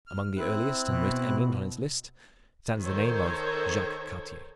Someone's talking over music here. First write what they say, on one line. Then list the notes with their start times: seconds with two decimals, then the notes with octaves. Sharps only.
Among the earliest and most eminent on its list stands the name of Jacques Cartier.
0.07 F6
0.37 C4 E4 F#6
0.89 B2
2.80 D#3 A4 C5 C#5